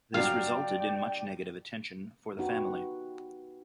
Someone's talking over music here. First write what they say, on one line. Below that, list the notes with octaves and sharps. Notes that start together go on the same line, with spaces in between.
This resulted in much negative attention for the family.
G2 F#3 D5 F5 G5
B3 D#4 F#4 G4 B4